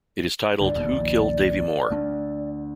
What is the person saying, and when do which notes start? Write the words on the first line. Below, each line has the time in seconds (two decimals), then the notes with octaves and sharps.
It is titled Who Killed Davey Moore?
0.61 C#2 G#2 D3 D5
0.75 E1 D#2 B2
0.94 D#1 A#1 D#2
1.91 D2 A3 D4